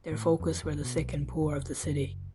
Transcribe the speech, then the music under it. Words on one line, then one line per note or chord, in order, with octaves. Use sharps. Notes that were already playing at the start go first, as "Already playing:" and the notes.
Their focus were the sick and poor of the city.
A2
F2
F#1
B2
B1
F1
F#1